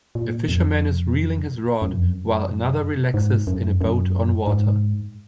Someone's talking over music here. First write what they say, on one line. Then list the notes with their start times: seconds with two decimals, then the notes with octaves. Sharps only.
A fisherman is reeling his rod while another relaxes in a boat on water.
0.15 A#2
0.48 F2
1.82 F#2
1.95 F2
2.08 F#2
3.14 G#2
3.47 F#2
3.81 F#2
4.47 G#2